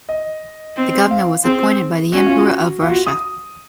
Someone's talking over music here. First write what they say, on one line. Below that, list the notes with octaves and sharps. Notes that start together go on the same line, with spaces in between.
The Governor was appointed by the Emperor of Russia.
D#5
C4
F5
C4 G#4
C#4 F#4
F4
F#4
F4
F#4
D#6